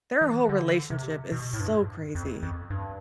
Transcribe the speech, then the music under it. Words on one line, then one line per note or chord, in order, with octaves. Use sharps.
Their whole relationship is so crazy.
E3
D3
C3
B2
A2
G2
F2
F2
G2